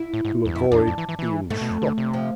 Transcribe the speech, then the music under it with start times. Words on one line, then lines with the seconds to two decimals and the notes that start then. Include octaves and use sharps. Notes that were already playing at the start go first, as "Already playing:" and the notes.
"To avoid being shot."
Already playing: E4
0.14 A2
0.25 G#2
0.45 E2
0.55 F2 E4
0.72 E2 D4
0.87 F2
0.98 E3
1.09 E3
1.19 E3
1.50 G#2 A3
1.61 B2
1.71 F2
1.82 D3
1.98 C3
2.13 F3